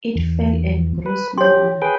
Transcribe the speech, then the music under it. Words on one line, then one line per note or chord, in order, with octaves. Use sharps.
It fell and grew smaller.
E2
B4
G4 C#5 C6
G#4 B4 G5